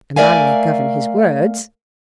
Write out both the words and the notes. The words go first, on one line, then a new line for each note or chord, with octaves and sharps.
"A man may govern his words."
A3 A#4 D5 E5 F5 G#5